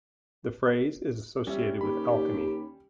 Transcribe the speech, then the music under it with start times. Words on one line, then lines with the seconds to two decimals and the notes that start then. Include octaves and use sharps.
The phrase is associated with alchemy.
1.47 G3 C#4 E5
1.81 D#2 C#4 G4 B5